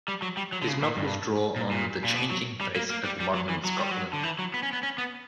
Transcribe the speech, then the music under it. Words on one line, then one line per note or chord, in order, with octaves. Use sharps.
His novels draw on the changing face of modern Scotland.
G3
F#3
G3
F#3
D3
C#3
A#2
G2
A#2
A#2
A#2
B2
F#3
G3
A#3
A#3
G3
G3
F#3
E3
F#3
G3
F#3
D3
E3
F#3
B3
C#4
B3
C#4
B3